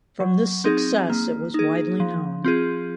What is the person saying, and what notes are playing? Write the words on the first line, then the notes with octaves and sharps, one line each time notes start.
From this success it was widely known.
F#3
C4 D#4 G#4
A#3
D#4 G#4
F3
C4 F4 G#4